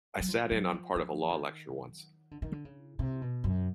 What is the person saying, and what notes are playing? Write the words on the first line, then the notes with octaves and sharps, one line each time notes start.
I sat in on part of a law lecture once.
F#3
F3
F#3
F3
F3
D#3
D3
D#3
D3
C#3
C3
B2
F#2